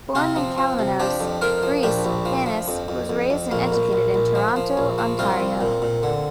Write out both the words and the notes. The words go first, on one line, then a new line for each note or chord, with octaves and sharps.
Born in Kalymnos, Greece, Cannis was raised and educated in Toronto, Ontario.
C3 C4 F4
F3
F3
C3
F3 D4 G4
F2
F3 F4 A#4
F3
A#1 D4 G4
A#1
F3
F3
F2
F2
F2
F2
A#1 A#3
A#1
A#1
A#1
F3
F3
A#1
F3
C2 C4 F4
C2
A#2
A#2
D3